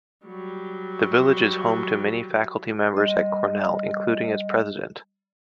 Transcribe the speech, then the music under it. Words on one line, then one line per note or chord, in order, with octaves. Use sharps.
The village is home to many faculty members at Cornell, including its president.
F#3 G3
G3 D#5